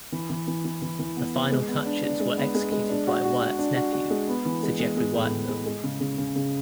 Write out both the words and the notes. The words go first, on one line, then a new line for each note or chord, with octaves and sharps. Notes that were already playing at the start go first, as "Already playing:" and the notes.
The final touches were executed by Wyatt's nephew Sir Jeffry Wyatville.
E3
E3
E3
E3
E3
E3
B3
B3
G#3
B3
D4
D4
G#3
B3
G#3
G#3
D4
F#4
F#4
F#4
D4
F#4
F#4
G#3
B3
E3
G#3
G#3
G#3
A2
A2
G#3
G#3
C#3
C#3
C#3
C#3